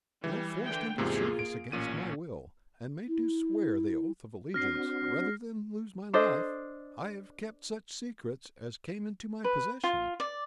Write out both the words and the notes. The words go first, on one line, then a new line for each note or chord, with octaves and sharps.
Though forced into service against my will, and made to swear the oath of allegiance, rather than lose my life, I have kept such secrets as came into my possession.
E3 G3
D3 G5
E2 G#2 C3 A#3 F4 G#4
D7
A1 A#2 C#4 D#7
E4
C4 D4 F#4 F6 A#6 C7
D4 A4 C5 D#5
B4
F4
D5